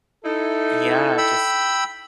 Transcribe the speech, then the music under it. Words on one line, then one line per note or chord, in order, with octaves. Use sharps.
Yeah, just
D#4 E4 A4
G5 B5 E6